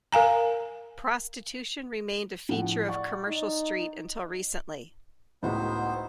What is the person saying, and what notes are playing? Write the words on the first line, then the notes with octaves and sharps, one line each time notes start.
Prostitution remained a feature of Commercial Street until recently.
A#4 F5 G#5 A#5
A2 F3 F#5
D5 F#5 C#6
D#4
C#2 A2 B3 D#4 E4 F#4 C5